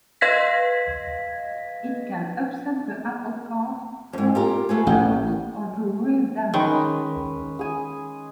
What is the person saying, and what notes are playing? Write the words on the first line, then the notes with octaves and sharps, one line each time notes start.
It can "upset the apple cart", cause chaos, or do real damage.
B4 D#5 F5 G#6 A#6 B6
F2 G#2
F4 G4 A#4
A3 B3 G#4
A1 G5
D#3 G#3 C#4 B4
G#4 G#5